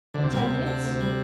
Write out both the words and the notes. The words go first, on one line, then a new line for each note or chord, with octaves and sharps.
Ten minutes?
D2 D3
C3
A#2 G3
C3
D2
D3
D2
G3